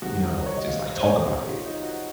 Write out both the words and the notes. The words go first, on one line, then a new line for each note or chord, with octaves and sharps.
you know, just, like, talk about it,
C2 C3 D#3 F#4
F#4
C#5
D#5
F5
C5
C#5
D#4
D#4
F4
D#4
F#4